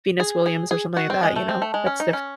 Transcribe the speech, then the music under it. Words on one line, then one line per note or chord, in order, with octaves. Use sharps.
Venus Williams or something like that. You know? That's diffi
G#4
G#4
G#4
F#4
C4
G#3
A3
C4
A3
G#3
C#4
D#4
C#4